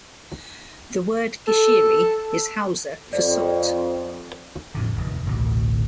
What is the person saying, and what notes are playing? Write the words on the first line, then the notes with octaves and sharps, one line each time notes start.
The word "gishiri" is Hausa for "salt".
A4
F2 D5
F2 A2 D3
F1 D#2
A1 D2 B2 D3